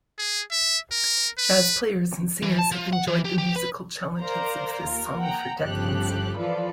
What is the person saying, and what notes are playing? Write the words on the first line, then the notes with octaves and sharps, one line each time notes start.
Jazz players and singers have enjoyed the musical challenges of this song for decades.
G#4
E5
A#4
B4
E3
A5
F3
F#5
E3
G4
G4
B4
A#4 C5 D5 F5 A#5
D#2 F4 A#4
F#5 G5 A#5
G1 C#3 F3 G4 A4 F#6
E3 F3 F4 A4 B4 D5